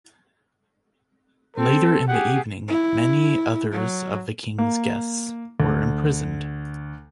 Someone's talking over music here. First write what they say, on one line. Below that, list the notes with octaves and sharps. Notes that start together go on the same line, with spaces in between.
Later in the evening, many others of the king's guests were imprisoned.
C4 A4
G4 G#4 F#5
E4
F#3
A#3
D2